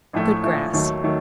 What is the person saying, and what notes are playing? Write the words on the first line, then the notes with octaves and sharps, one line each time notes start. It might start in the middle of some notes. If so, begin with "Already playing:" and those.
Good grass.
A#1 A2 F3 A3
A#1 A2 F3 A3
D#2 D#3 F#3 A3
D#3 F#3 A3